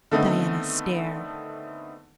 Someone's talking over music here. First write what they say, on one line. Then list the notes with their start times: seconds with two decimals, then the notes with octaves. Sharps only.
Diana stared.
0.11 D3 D#3 A3 B3 C4 D#4